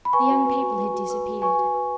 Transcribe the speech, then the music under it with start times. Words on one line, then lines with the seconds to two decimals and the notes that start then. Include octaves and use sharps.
The young people had disappeared.
0.05 B5
0.13 B4 G#5 C#6
0.30 F#4
0.46 B4
0.62 F#4
0.78 B4
0.94 F#4
1.10 B4
1.27 F#4
1.42 B4 G#5 C#6
1.59 F#4
1.74 B4